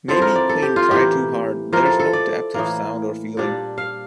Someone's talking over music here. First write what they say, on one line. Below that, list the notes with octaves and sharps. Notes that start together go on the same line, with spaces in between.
Maybe Queen try too hard, there's no depth of sound or feeling.
D3 F3 C4 E4 A4
A#4
D5
A4
G4
F4
A2 E3 A#3 G4
F3 A#3 E4 A#4
A4
A4
D5
A2 E3 A#3
A#2 G3 D4
F5